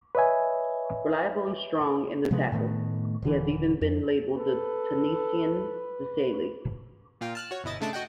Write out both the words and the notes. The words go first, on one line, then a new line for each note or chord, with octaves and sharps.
Reliable and strong in the tackle, he has even been labelled "the Tunisian Desailly".
B4 C#5 D#5 E5 G#5
C3 F3 G#3 B3
A2 D#3 A3 B3
D#1 D3 E3
F2
A4 B4
A#2 F4 G5
A5 F6 F#6
F#4 C#5
G1 B2 E4 D#5 A6
C#3 G#3 A3 D4 A5 D6
F#4 D#5 F#5 G5